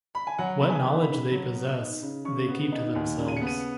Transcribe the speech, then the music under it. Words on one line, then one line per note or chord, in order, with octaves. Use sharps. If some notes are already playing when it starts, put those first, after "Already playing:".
What knowledge they possess they keep to themselves.
B5
G#5
F#3 F#5
B3 B5
G#5
D#4
B5
C#3
F#3
B3
D#4
C#3
C#3 C#6
B3
D#4
D#2
C#3
D#7
C#7
B3
D#7